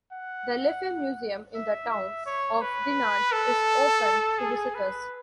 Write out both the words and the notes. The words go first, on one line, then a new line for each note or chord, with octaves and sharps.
The Leffe museum in the town of Dinant is open to visitors.
F#5
E5
E5
C#5
B4
A4
G#4
B4